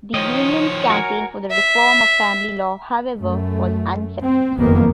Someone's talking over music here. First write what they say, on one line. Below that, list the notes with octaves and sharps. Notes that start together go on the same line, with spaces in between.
The union's campaign for the reform of family law, however, was unsuccessful.
D#3 F3 C#5 D#5
F#4 A#4 G#5
E5
F#2 A3
C4
F#1 F2 D#3 A#3 B3